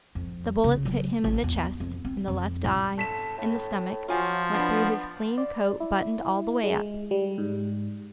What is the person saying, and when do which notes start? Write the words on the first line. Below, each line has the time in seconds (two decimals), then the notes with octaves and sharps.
The bullets hit him in the chest, in the left eye, in the stomach, went through his clean coat buttoned all the way up.
0.15 F2
0.64 C#3
0.85 F#3
1.24 A1
1.44 E2
1.80 F2
2.05 C4
2.28 F2
2.64 A2
2.97 G1 A4 B6 E7
3.38 A2
4.08 F3 F#3 F4 G#5
4.54 B3 D4 B5
5.38 D5
5.80 E4
6.64 G#3
7.11 G3
7.38 G#2